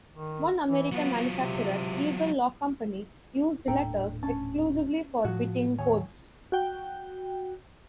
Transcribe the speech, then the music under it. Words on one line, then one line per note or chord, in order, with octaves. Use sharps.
One American manufacturer, Eagle Lock Company, used letters exclusively for bitting codes.
D#3
E3
F#3 B3 F4
C3
D#1 A2 D4 A4 G5 A#5
C#4 A5
A2 F3 F#4
D#2 C#5 G#5
F#4 G5